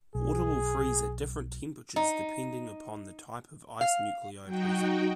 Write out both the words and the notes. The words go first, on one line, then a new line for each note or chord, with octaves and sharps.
Water will freeze at different temperatures depending upon the type of ice nuclei present.
B1 G#4
D#4
F5
F#3 D#4 F#4 G5